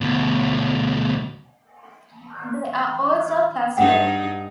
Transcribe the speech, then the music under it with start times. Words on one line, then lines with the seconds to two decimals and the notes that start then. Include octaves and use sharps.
They are also clustered.
0.01 D2 B2
3.77 G2 D#4 F#5 G5